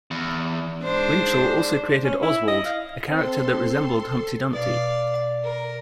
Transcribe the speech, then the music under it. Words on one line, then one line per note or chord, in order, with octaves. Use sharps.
Winchell also created Ozwald, a character that resembled Humpty Dumpty.
E2
G#2 D4 C5
C#4
E4
D#5
F5
C4 A4 C6
B2 D5 F5
A#4